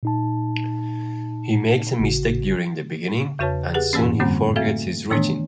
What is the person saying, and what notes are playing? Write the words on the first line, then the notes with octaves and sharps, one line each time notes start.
He makes a mistake during the beginning, and soon he forgets his routine.
A#2 D#4 A5
G#1 C#3 F#4
E2 C#3 F#4 B4 C#5 A5
G4 G#4 B4 F#5 F#6
F2 G#2 E3 A#3 C#4
F#2 D3 G3 A#3 C4 C#4
A3 C4 F#4 A4 E5 F5
D#3 E3 A3 B3 D4 C#5